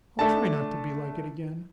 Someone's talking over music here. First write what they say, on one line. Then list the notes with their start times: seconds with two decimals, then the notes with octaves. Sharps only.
I'll try not to be like it again.
0.19 A3 D4 A5